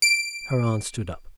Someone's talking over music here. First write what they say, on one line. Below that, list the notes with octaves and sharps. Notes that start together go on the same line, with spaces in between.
Her aunt stood up.
D7